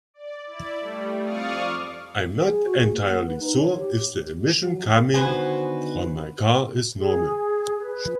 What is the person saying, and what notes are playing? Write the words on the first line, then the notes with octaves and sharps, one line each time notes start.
I'm not entirely sure if the emission coming from my car is normal.
D5
E4 D5
G3 A3
F2 D5 F5 C#6 D#6 F6
G#4
F#4
G#4
A#3
F#5
B4
D#4
C#5
G4
D3 D#3 B3 F#4 B4 C5 G#5
G#4
B4